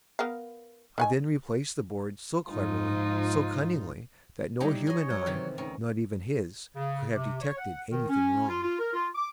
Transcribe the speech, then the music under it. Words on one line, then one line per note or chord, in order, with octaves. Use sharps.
I then replaced the boards so cleverly, so cunningly, that no human eye--not even his--could have detected any thing wrong.
B3 A#4 F5
D#3 F#5 G#5
G#2 F3 D#4 F4
F#3 G3 D#4 E4 G4 A#5
D#4 G#4 C#5 D#5
F#3
C3 D#3 E3
D2 D#3 C#4
C#3
C3
C#5
F#5
D#3
C#4
F4
F4
A#4
F4
D6